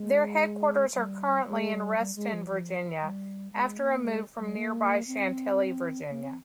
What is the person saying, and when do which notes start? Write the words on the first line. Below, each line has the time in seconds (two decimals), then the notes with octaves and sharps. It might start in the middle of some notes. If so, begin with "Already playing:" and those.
Their headquarters are currently in Reston, Virginia after a move from nearby Chantilly, Virginia.
Already playing: G#3
0.95 G3
1.47 G#3
1.73 G3
1.98 G3
2.16 G#3
2.33 F3
2.50 F3
3.02 G3
3.53 G#3
3.78 A#3
4.05 G#3
4.39 G3
4.56 A#3
5.07 C4
6.10 A#3
6.23 C4